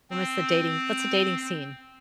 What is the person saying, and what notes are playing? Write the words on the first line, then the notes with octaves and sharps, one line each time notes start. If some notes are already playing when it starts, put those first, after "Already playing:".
what's the dating What's the dating scene
C4